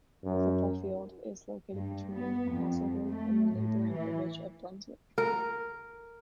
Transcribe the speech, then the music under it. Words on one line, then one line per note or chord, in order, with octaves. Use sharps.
A football field is located between Hazlerigg and the neighbouring village of Brunswick.
F#2
G2
B3
F2
A3
A2
E3
A#4